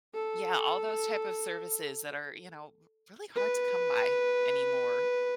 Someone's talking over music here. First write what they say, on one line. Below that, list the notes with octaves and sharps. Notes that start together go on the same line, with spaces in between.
Yeah, all those type of services that are, you know, r really hard to come by anymore.
A4
B4